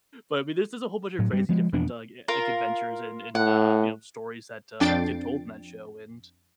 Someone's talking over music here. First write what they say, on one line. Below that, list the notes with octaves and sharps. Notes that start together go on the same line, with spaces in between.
but I mean, this is a whole bunch of crazy different d uh, like adventures and and, uh, you know, stories that, uh, get told in that show and
A2 F#3
G2 G3
F3 G#3
E1 F2 B3 D4
F4 A#4 A#5
A2 F#5
F2 D4 G5 A6 C7 D7